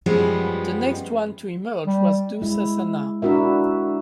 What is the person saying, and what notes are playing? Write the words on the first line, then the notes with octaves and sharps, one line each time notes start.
The next one to emerge was Dussasana.
F#2 F3 G3 G#3 B3
G3
G#3 E4
D4 E4 F#4 A#4 E5